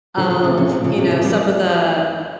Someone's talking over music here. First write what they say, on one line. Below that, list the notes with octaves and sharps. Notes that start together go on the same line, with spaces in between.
of, you know, some of the
D3 F3
D3
C#3 A3 C4
C#3
C3 F3
C#3
C3 A3 C4
C#3
G3